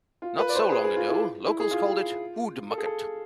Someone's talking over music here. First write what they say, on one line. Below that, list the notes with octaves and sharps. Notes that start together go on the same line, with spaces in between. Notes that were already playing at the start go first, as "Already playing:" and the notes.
Not so long ago locals called it Oodmucket.
F4
B4
D5
C5
G#4
G#4
F4
E4
E4
G#4
F4
A4
G#4
A4